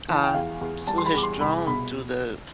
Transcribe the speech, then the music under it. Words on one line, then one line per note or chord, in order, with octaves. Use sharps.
uh, flew his drone through the
E3 A5
G5
E2 F5
E2
G3 A5
C6
B5
E2 D6
C6
C2 B5
B2 B5